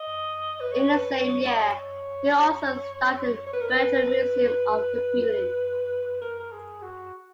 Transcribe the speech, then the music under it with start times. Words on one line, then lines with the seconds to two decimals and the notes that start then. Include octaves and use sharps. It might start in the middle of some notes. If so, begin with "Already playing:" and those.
In the same year he also started the Virtual Museum of Computing.
Already playing: D#5
0.60 B4
0.72 C#5
0.95 B4
1.19 C#5
1.41 C#5
1.53 D#5
1.66 C#5
3.47 C#5
3.53 B4
3.61 A#4
3.68 B4
6.22 A#4
6.40 A#4
6.52 G#4
6.82 F#4